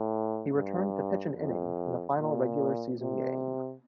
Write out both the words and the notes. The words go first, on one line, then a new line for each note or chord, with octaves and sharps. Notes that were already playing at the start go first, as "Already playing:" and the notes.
He returned to pitch an inning in the final regular season game.
Already playing: A2
G2
F2
A#2
C3